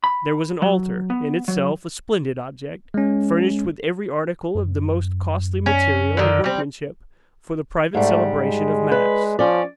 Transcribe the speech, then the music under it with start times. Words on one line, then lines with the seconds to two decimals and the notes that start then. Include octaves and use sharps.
There was an altar, in itself a splendid object, furnished with every article of the most costly material and workmanship, for the private celebration of mass.
0.04 B5
0.62 F#3
1.10 B3
1.48 F#3
2.94 G#3 C#4
4.55 F#2
5.66 C#4
6.17 D3 D#3
6.44 G3 C4
7.95 G#2 G3 A3
8.36 G#3
8.92 B4
9.39 F3 C#4 D5